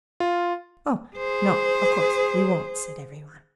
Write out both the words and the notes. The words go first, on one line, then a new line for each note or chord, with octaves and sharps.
'Oh, no, of course we won't!' said everyone.
F4
G#4 C5